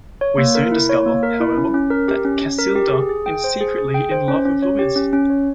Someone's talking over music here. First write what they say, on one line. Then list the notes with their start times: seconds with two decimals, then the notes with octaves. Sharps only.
We soon discover, however that Casilda is secretly in love with Luiz.
0.21 C#5
0.38 A#3
0.55 A#4
0.72 E4
0.89 C#5
1.06 A#3
1.23 A#4
1.40 E4
1.57 C#4
1.74 C#4
1.90 A#4
2.08 G4
2.25 C#4
2.42 C#4
2.59 A#4
2.75 G4
2.92 G#4
3.09 G#4
3.26 G5
3.44 C5
3.61 G#4
3.78 G#4
3.94 G5
4.11 C5
4.28 C#4
4.45 C#4
4.62 C#5
4.79 G4
4.96 C#4
5.13 C#4
5.30 C#5